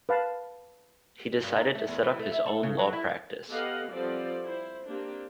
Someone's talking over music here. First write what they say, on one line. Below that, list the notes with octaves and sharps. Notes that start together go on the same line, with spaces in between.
He decided to set up his own law practice.
B4 F5 A5
G2
D#4
A3
E2
E3
A3
E5
A4
C#3
F#3
E4
F#2
B3 G4 A4 D#5 F5 F#5
F3 G3 B3 C4 A4 D5
E4 C5
A#3 C4 D4 G4